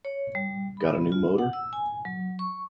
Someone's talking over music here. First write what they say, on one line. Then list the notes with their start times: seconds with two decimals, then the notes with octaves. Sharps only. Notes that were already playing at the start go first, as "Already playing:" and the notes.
Gotta New Motor?
0.05 C#5
0.35 G3
0.77 B5
1.12 F4
1.38 F#5
1.53 E6
1.73 G#5
2.05 F#3
2.39 C#6